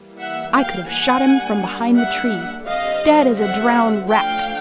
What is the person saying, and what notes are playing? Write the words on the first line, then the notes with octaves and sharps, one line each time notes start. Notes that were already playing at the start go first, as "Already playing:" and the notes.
I could have shot him from behind the tree--dead as a drowned rat!
Already playing: E3 G3 A#3
E5 F#5
F5 G5
F#5 G#5
G3 A#3 D4
E5 F#5
D3 G3 C4 D#5 F5
E5 F#5
F3 A3 D4 F5 G5